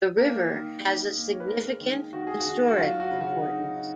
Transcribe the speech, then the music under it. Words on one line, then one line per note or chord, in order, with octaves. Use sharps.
The river has a significant historic importance.
A#3 A#4
D#3
D#4
A#3
C#5
B4
G#3 A#4
D#3
D#3 F#4
G#4
F#4
D#3
F#4
F#3 F4
F#4
C#3
F#4
D#4
D#4